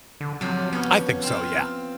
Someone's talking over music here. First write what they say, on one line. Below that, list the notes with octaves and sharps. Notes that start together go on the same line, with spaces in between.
I think so, yeah.
D3
C3 F3 F#3
B3 C#4 C#5
C4 F4